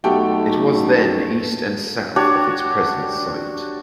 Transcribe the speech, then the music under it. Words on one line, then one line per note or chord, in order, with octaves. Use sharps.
It was then east and south of its present site.
B1 A3 G4 F#5 G5
D4 F#4 G4 C#5